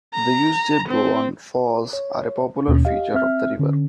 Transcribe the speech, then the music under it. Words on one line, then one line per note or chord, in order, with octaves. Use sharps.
The Uisge Ban Falls are a popular feature of the river.
A#5
C4
C#5
D#2 B2 C#4
G4 D#5 F5
C4 E5 F6
D3 C#4